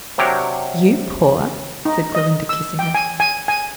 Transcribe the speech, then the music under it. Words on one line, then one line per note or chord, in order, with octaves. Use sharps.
"You poor!" said Clorinda, kissing her.
C3 F#3 D4 G4 A#4 C#5
D#4
D#5
E6
G5
G#5
G#5
G#5